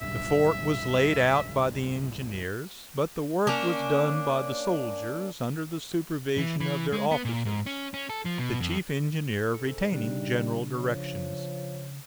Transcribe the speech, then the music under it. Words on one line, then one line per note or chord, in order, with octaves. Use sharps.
The fort was laid out by the engineers, but the work was done by the soldiers under the supervision of their officers, the chief engineer retaining general directions.
D1 B1 G2 E5
A#3 C#4 D4
E3
E3
G#3
B3
A#2
G#2
C#4
C#4
A4
F3
B2
F2
G#2 A4
C#3 G3 D4 D#4
F3 C#5